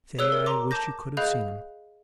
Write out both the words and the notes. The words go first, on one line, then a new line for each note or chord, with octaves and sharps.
Say, I wish you could have seen him.
G#4 C#5 D5 E6 F#6 G7
A#4
A#5 C6 D6
A5 D6 G6 A#6
G#4 D#5 F5 B5 F#6 G6